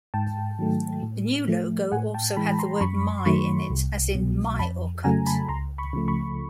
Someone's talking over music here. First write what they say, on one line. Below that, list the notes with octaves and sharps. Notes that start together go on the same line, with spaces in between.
The new logo also had the word "My" in it, as in My Orkut.
G#2 G5 A5
D#3 F#3 A3
A2
F3 A3
A2 F#5 G#5
G5 A5
E3 G#3 A5 B5
A#5 C6
F#2 B5 C#6
C6
D#3 F#3 A3 B5 C#6
C2
B2 F#3
F2 A5 B5
C#3 F#3 A3 G#5 A#5
A5 B5
C#2 A#5 C6
B5 C#6
C#3 F3 A3
B5 C#6